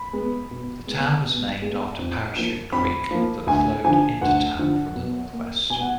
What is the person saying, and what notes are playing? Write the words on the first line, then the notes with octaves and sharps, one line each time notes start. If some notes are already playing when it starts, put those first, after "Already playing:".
The town was named after Parachute Creek, that flowed into town from the northwest.
Already playing: B5
G#3 B3
B2
G#3 B3
B2
G#3 B3
F2
F3 A#3
F2 B5
F3 A#3
D2 G#5
D3 F3 G#5
D2 F#5
D3 F3
B2
A#3
B2 G#5
F#5